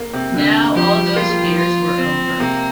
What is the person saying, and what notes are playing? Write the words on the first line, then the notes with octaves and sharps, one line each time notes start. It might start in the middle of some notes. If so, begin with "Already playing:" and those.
Now all those fears were over.
Already playing: A#3
C3
D3
F3 G4
G3
A#3 F4
G3
F3
F4
C4
C3 A#3